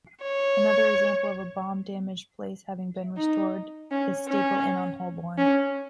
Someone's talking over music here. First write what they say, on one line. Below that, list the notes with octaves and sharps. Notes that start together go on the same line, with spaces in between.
Another example of a bomb-damaged place having been restored is Staple Inn on Holborn.
C#5
D#4
C#4
C#4
C#4